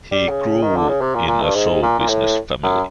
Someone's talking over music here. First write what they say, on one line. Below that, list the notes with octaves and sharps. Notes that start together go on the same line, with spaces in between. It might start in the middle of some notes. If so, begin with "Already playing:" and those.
He grew in a show business family.
G3
C#3
D#3
D3
C#3
C3
A#2
A#2
G2
G#2
A#2
A#2
A2
F#2